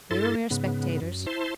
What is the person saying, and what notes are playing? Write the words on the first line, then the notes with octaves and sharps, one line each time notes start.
We were mere spectators.
G2 E4 A4 C6 A6
G#2 C#3 B3
F#2
E4 C5 A5 C6